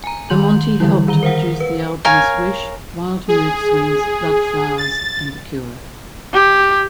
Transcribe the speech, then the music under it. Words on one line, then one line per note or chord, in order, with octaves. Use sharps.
Bamonte helped to produce the albums "Wish", "Wild Mood Swings", "Bloodflowers", and "The Cure".
G#5 A#5
D#3 C6 G6 F#7
D3 E3 G3 E4
D#3 A#5 G7
A#4 C5 F5 F#5
B4
A#4 C#5 F5 G#5
G#4
A6
G4